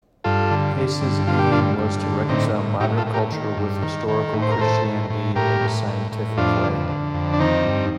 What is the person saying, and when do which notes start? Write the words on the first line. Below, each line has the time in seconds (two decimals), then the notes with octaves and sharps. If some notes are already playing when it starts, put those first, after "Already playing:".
Hase's aim was to reconcile modern culture with historical Christianity in a scientific way.
0.24 G2 F4 A4
0.51 D3
0.77 D3
1.01 G2
1.27 D3 F4
1.39 G4
1.52 G2 D4 F4
1.79 G2
2.03 D3
2.29 A2 C4 D#4
2.55 A2
2.80 A2 D#4 G4
2.97 F4 A4
3.06 A2
3.14 G4 A#4
3.32 D#3
3.57 G2
3.82 D#3
4.08 D#3
4.33 A2
4.42 C5
4.51 A#4
4.59 A2 A4 C5
4.85 A2
5.10 A2
5.36 A2 G4 A#4
5.61 A2
5.87 A2
6.12 A2
6.37 F2 D4 F4
6.64 D3
6.89 D3
7.14 F2
7.33 D4
7.40 D#3 C4 D#4
7.66 G2